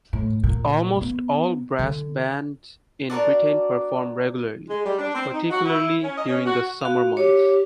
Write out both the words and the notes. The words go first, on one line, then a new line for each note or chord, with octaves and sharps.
Almost all brass bands in Britain perform regularly, particularly during the summer months.
A2
A#2
B3
D3
D4 F#4 A#4 D5
G#3
G3
D4
C4
D#4
F#4
E4
C#4
D#5
C#4
F#4
F#4 F5
G4 C#5